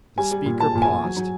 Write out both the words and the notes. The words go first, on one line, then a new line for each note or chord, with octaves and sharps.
The speaker paused.
G3 G#5
G3
A#2
A#2 A5
A#2
G#5
A#2
F#3
F#3